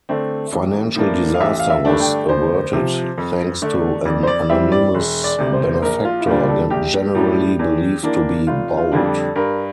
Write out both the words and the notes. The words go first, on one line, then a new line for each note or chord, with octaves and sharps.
Financial disaster was averted thanks to an anonymous benefactor, generally believed to be Boult.
D3 A3 C4
A1
A2 E3 A#3 D4
F5
A1 E5
F5
E5
G2 D3 A3 D4
G5
D2 C5
C3 F3
F2
D3 A3 D4
F2 D5
C5
D5
E3 G3 C4 E5
D5
E1
D5
D2 C3
C5
C5
A#1 A#4
F4
E4
A#2 G3 D4 F4
A4
A#1 G4
A2 G3 D4
E2
E3 A#3 D4
F1 F4
F4
F2 D3 G3 D4
A4
G2 A#4